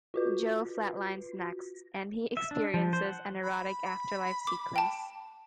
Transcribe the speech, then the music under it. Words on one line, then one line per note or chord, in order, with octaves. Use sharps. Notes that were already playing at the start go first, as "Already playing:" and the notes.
Joe flatlines next, and he experiences an erotic afterlife sequence.
F4 F#4 B4
E5
D4
F3
C5
F#5
B5
D6
G5 A5